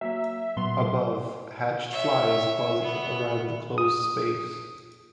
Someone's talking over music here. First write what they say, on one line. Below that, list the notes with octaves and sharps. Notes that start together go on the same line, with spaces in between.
Above, hatched flies buzz around in the closed space.
F#3 A#3 E5
A#2 F#3 B3 C6
C#5 E5
B3
D#6